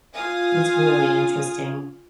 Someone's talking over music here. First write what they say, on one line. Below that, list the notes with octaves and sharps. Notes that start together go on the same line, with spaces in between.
It's really interesting.
F4 F5 G#5 D#6